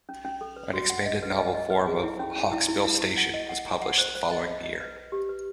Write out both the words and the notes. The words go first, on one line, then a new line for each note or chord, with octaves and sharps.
An expanded novel form of "Hawksbill Station" was published the following year.
C#4
C#4
A4
B4
F#4
F#5
D#5
B4
D#5
D#5
B4
G#4
E4
C#4
C#4
E4
E4
E4
E4
F#5
D#5
F#5
A#5
F#5
C5
C5
D#5
D#5
D#5
B4
B4
G4
B4